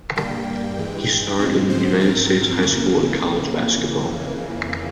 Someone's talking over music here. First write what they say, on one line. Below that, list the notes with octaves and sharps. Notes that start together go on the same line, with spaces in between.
He starred in United States high school and college basketball.
G2 G3 A#3 G5
G2 E3 G#3
G#2 F3 G#3 C4
C5
G#2 F3 C4 A#4
F2 C#3 E3 A#3